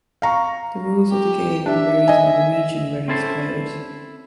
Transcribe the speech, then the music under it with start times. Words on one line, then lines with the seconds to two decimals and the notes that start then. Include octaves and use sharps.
The rules of the game varies by the region where it is played.
0.22 F5 A#5 C#6
1.09 G4
1.66 D4 E5
2.08 D#5 G#5
3.08 C4 C#4 E4 A4 C5